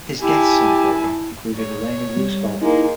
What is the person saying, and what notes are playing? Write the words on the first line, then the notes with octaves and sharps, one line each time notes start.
His guests on the program included Eleanor Roosevelt.
E4 G4 G#5 A5
C#5
G3
G#3 A#3 D#4 E4